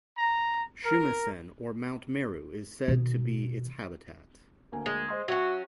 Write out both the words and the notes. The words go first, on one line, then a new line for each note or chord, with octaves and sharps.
Shumisen or Mount Meru is said to be its habitat.
A#5
A#4
B2 D#3
D2 A#3 G#5
G#3
C5 D#5 C6
F#3 C#4 F#4 E5